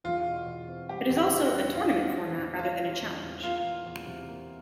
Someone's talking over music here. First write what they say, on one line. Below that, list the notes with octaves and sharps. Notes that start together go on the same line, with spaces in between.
It is also a tournament format, rather than a challenge.
E2 F4
B2
E2
C4
G3 G4
E2
G4
E2
F#4
G3
E2 F4
C4
C4
E2
G3 F4
C4
E2
E2
A#3 F4
E2
E2
C3
A#3